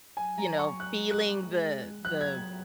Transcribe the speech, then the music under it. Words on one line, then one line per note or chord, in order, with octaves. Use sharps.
you know, feeling the the
F#3 G#5
A#5
C#6
F#6
F#6
G#3
F#3 F#6
G#6